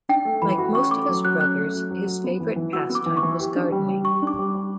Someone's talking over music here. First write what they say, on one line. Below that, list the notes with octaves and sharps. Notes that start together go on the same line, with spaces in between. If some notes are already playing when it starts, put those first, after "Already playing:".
Like most of his brothers, his favorite pastime was gardening.
D4 G5
A3
E3 B5
F#4
C#4 C#6
A3 D6
F#3
F#3 F#6
C#4 F#6
A3
F#3
F#3
F#4
B3
E3
E3
F#4 E6
B3
D6
E3
C#6
E3
G4
D4
G3
G3
G4 C#6
D4
D6
G3
G3